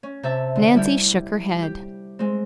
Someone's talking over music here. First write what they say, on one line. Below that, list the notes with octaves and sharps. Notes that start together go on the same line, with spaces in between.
Nancy shook her head.
C#4
C3 E5 A5
D3
G3 E4 G4
G4
G#3 C4